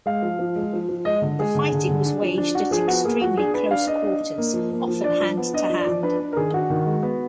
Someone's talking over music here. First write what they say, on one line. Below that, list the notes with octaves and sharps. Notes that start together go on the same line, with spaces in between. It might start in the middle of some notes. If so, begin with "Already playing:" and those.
The fighting was waged at extremely close quarters, often hand-to-hand.
G#3 F5
F3
F3
G#3
F3
F3
G#3 D#5
D3
G#3 G#4
D3
D3
D3
D4
F3
D4
D4 F#4
F3 G#4
B3 F#4
A#3 G#4
F3 F#4
D4 G#4
D4 B4
D4 F5
D4 D#5
D4
D4
A#3
F3
A#3
F3
D4 D5
F3
B3
D4 D#5
F3
D5
F3
D4 B4
D4
A#4
D#3 G#4
D4 F#4
D#3
G#3
B3